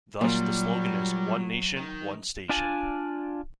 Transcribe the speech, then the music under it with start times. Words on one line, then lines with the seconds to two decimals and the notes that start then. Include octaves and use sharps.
Thus, the slogan is "One Nation, One Station".
0.21 A#2 F#3 G3
1.76 D#3
2.49 D4 F4 D5 G#5 A5